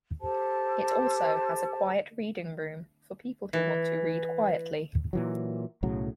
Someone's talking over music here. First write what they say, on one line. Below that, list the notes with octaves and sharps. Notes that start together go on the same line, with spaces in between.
It also has a Quiet Reading Room for people who want to read quietly.
G4 A4 C5 A5
E3
A#2 E3 F#3
B1 A2 C#3 F#3